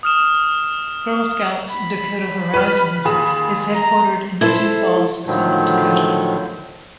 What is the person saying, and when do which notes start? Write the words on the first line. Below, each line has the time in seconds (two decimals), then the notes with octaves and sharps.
Girl Scouts-Dakota Horizons is headquartered in Sioux Falls, South Dakota.
0.03 D#6 F6 E7
1.71 B5
2.54 B4 F6
3.05 D#2 G#4 E7
3.74 A#5
4.41 E4 A4 C5
5.27 A2 D3 D#3 F3 F#3